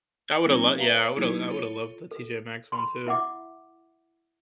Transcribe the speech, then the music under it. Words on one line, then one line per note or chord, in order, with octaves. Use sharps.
I woulda l yeah, I woulda I would've loved the TJ Maxx one too,
F#3 A#3 C4 D#4 F4
B4 E5 F5 A5 A#5
C#5
F#3 A#3 D#4 E4 G4
F4 A4 C#5
A4
B5 C6
E4 E5 F#5 D6